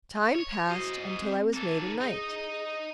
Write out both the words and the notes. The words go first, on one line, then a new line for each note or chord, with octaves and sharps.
Time passed until I was made a knight.
C#5
F#4 C5 D#5
C4
A#3 A4
D#4
D#4 G#4 D#5